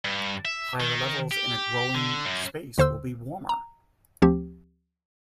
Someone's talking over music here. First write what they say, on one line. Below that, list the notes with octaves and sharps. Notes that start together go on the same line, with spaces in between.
Higher levels in a growing space will be warmer.
G2
E5
D#3
G4
D3
F#2
D#2 D3 C5 C6 E6
A#5
D2 F3 C4 G4